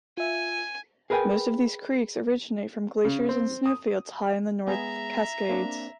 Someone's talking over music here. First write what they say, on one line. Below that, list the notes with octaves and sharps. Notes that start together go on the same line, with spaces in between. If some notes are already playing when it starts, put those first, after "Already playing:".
Most of these creeks originate from glaciers and snowfields high in the North Cascades.
F4 E5 G#5
G#4 A#4 B4 D#5 G5 G#5
C#3
C4
D#6
G#3 B3 G#4 E5 A#5
A#3 C4 D4